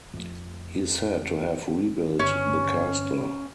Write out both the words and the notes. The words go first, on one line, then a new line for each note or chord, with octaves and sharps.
He is said to have rebuilt the castle.
F2 A3
G1 C#4